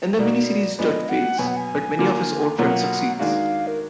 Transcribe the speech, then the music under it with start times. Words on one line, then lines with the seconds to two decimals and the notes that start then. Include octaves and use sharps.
In the mini-series Studs fails, but many of his old friends succeed.
0.19 B2 A#3 D#4 F#4 D5
0.79 F3 G#3 B3 D4 D#5
1.09 F#5
1.38 B2 F#3 B3 G#5
1.47 F#5
1.57 G#5
1.99 D3 F3 A#3 F4
2.58 B2 F#3 A#3 F4 F#5
3.19 D#3 G#3 D4 F#4 F5
3.67 A#4